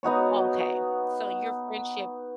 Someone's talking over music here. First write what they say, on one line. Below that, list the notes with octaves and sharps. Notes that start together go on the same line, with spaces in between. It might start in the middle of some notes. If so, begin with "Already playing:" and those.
Oh, okay. So, your friendship
B3 D#4 F#4 C#5